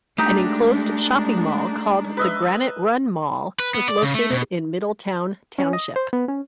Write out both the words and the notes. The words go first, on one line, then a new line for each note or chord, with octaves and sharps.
An enclosed shopping mall called the Granite Run Mall was located in Middletown Township.
G#3 A3 D4 D#4 F#4 G4
B4 D#5 E5
B4
B3
D5
C#3
A3
B2
C#4
D#5
C5
B3
C#4